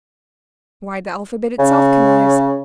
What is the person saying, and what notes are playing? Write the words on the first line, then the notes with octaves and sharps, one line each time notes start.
Why, the alphabet itself connives.
C#3